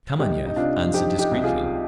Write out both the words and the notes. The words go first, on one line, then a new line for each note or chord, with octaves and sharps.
Kameniev answered discreetly.
C2 D#4 G4
D#4
C3 D4 F4
F3 D#4 G4
D#4 G4
C2
F4 G#4